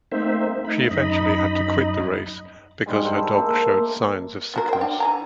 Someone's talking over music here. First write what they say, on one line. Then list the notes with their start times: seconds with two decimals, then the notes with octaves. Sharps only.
She eventually had to quit the race because her dogs showed signs of sickness.
0.12 A3 A#3 C4 D#4 C5 E5
0.65 A3 D#4 B5
0.91 F#2 D#4 D#5 B5
2.86 G#2 G3 G#3 G#5
3.05 D4 G4 A4 C5
3.36 G#3 A#3 E5
4.54 B3 F#4 A#4
4.69 C5 G5
4.81 D4
5.00 E3 G#5 A#5